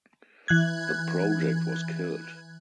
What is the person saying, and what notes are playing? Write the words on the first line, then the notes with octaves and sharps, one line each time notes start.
The project was killed.
E3 F#6 G#6